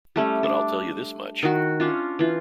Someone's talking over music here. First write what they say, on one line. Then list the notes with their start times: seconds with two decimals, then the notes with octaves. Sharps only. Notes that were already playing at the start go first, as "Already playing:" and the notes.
But I'll tell you this much.
0.16 G3 A3 C#4
0.43 D4
1.43 D#3 F#4
1.80 C#4 D4 F4
2.19 E3 F4